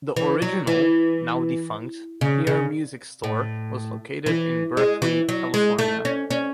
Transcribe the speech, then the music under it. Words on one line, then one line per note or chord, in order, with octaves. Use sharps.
The original, now-defunct Hear Music Store was located in Berkeley, California.
E3
F#3
E3
C#3
C#3
A2
E3
G#3
E3
F#3
G#3
A3
C#4
C#4